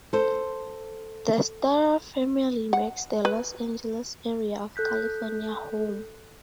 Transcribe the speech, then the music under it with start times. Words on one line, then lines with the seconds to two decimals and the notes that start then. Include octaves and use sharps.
The Storr family makes the Los Angeles area of California home.
0.13 A4 C5
2.73 F#5
3.25 B4
4.76 A4 F#6 G6 B6